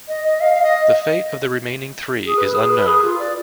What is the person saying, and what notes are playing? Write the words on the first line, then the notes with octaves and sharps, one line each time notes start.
The fate of the remaining three is unknown.
D#5
D#5
F5
F5
D#5
G#4
B4
G#4
B4
G#4
F4
D5